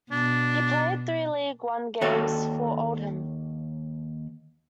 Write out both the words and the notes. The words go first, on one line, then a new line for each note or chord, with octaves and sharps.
He played three League One games for Oldham.
B2 D4
D#2 F#4 G4 A4 C#5